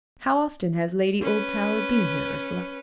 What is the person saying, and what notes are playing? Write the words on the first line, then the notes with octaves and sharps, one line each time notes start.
"How often has Lady Oldtower been here, Ursula?"
C#4 B4